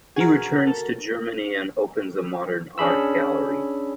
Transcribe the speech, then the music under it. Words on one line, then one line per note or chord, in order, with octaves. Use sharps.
He returns to Germany and opens a modern art gallery.
F#4 G#4 A#4
A4
C#4 D4 G#4 B5 E6